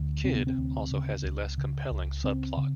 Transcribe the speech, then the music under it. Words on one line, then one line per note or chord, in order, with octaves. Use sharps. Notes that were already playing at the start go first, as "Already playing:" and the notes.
"Kid" also has a less compelling subplot.
Already playing: D2
C3 C4
B3
C4
D2
C#3
C#2
C#3
C#2
C#3 C4
C#3